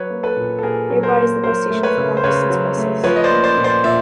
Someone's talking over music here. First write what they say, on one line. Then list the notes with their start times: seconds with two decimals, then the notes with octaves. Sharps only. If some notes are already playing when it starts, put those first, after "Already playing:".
Nearby is the bus station for long-distance buses.
Already playing: F#3 B4 C#5
0.10 A#3
0.23 A4 B4
0.36 A#2
0.59 A4
0.63 A#2 G#4 A#4
0.90 F#3
1.03 A#4 C5
1.17 A#3
1.43 F#3 A#4 C5
1.70 A3
1.83 B4 C#5
1.97 C#3
2.17 C5
2.24 C#3 B4 C#5
2.50 F#3
2.77 A3
3.04 F3 B4 C#5
3.16 D#5
3.24 C5 D5
3.31 A#3
3.44 C5 D5
3.57 A#2
3.64 C5 D5
3.84 A#2 D5 E5